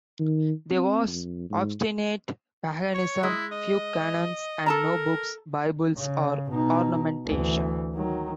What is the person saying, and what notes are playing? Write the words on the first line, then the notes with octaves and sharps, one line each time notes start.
There was obstinate paganism, few canons, and no books, bibles, or ornamentation.
D#3
C4
F2
G#2
C#5
G#3 E4
D#5
A4 A#4 A5 A#5
C#3
B2 D#4
D2 E3
D#3 F#3